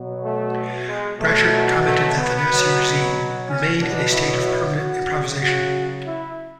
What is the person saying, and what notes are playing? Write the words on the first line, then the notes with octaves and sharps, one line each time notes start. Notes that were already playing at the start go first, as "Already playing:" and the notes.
Bracher commented that the Nazi regime "remained in a state of permanent improvisation".
Already playing: B2 F#3
A3
G#3
B2 F#3 A3
A3
B3
B2 F#3
C#4
B2 F#3 D4
E4
F#4
C#3 F#3
F#4
E4